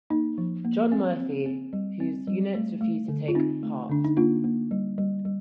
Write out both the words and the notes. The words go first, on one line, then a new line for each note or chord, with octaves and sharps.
John Murphy whose units refused to take part.
A#3 D#4
F3
A#3
C4
C4
C4
G3
C4
G3
A3
A3
D3
F4
C4 D#4
A3
D3 D4
D#4
A#3 D4 F4
A#3
G3
G3
G3